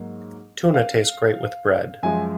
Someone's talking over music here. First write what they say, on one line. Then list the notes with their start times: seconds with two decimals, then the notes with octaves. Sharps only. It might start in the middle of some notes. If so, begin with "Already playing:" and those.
Tuna tastes great with bread.
Already playing: G#2 F#3 A#3
0.74 F5
2.03 F#2 F3 G#3 G#5